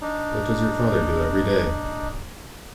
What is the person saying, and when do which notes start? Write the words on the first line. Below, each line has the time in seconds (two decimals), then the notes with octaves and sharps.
What does your father do every day?
0.01 D4 D#4